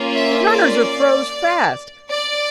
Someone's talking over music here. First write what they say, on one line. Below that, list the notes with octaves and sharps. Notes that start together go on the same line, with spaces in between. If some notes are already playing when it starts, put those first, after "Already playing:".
The runners are froze fast.
Already playing: A#3 C#4 F4
E5
D5
D5